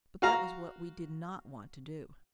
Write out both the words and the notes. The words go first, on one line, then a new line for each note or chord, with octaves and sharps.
But that was what we did not want to do.
F#4 F5 A#5